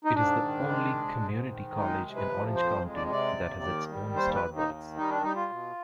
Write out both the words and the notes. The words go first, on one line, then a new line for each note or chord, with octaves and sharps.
It is the only community college in Orange County that has its own Starbucks.
D#4
G#2 D4
D#3
G#3
G#2
G#2
D#3
G#3 D#4
C3
B4
F3
F2 C5
G#3
D5
C3 D5
D#2
D#3
G3
D#2 C5
B4
D#2
D#4
D#3
G3 D#4
D4
G3 D#4
F4
B2